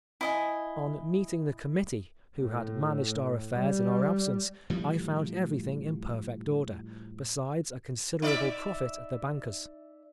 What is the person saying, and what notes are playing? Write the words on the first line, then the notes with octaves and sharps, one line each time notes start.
On meeting the Committee, who had managed our affairs in our absence, I found everything in perfect order, besides a considerable profit at the banker's.
E4 D#5 G#5
A2
G3
A2 F3 G3
D#4 D5 E5